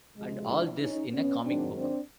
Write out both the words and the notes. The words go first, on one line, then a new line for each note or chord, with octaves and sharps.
And all this in a comic book!
D2 C3 F3 G#3
D4 E4
C#4 D#4
B3 C#4
G#2 D#3 F#3 C4 D4
C4 D4